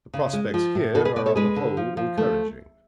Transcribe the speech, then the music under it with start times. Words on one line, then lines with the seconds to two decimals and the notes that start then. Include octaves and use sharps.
The prospects here are on the whole encouraging.
0.13 C#3
0.33 G#3
0.54 F3
0.75 A2
0.95 B2 F#4 A4
1.05 G#4 B4
1.16 B2 B4 D5
1.26 A4 C#5
1.36 G#3 G#4 B4
1.56 D3
1.77 F3
1.97 F3
2.17 A3